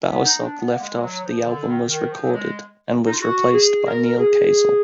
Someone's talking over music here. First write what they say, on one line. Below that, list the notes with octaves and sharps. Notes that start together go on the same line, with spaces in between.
Bowersock left after the album was recorded, and was replaced by Neal Casal.
B3
D#4
D4
B3
A#3
G#3
F#3
F3
D3
D#3
D#3
F3
F#3
G#3
D#4
F4
F#4
G#4
A#4
G#4